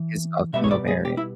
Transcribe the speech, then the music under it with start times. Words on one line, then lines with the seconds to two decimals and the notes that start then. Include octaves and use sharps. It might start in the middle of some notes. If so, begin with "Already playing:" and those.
his, uh, female variant.
Already playing: E3
0.53 B2 G3 B3 E5
0.64 C#5
0.71 D5
0.88 G#4
1.05 G4
1.17 E4